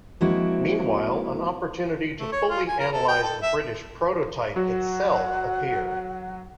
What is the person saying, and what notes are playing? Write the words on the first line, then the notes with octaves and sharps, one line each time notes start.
Meanwhile, an opportunity to fully analyze the British prototype itself appeared.
F3 G#3 A#3 C4 E4 F#4
A3
C#5
F4
G#5
A#4
A4
G5
A4
E5
F#3 F#4 F#5